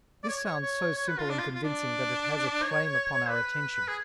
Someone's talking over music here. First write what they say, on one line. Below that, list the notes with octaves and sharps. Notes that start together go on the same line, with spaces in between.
This sounds so simple and convincing that it has a claim upon our attention.
D5
C#5
C#5
C#5
C#5
B4
F4
D4
F4
F4
D4
C#5
B4
G#4